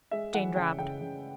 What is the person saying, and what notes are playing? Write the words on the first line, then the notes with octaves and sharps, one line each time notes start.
Jane dropped.
G#3 E5
E3 F#5
C#3 G5
C#3 G5
C#3